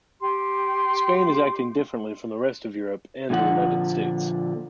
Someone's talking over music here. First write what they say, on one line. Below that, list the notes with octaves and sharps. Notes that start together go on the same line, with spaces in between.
Spain is acting differently from the rest of Europe and the United States.
G4 C6
A#2 D3 F3 F#5